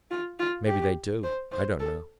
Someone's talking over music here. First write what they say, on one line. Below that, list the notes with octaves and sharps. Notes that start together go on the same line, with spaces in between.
Mebby they do; I don't know.
F4
F4
G4
C5
C5
A4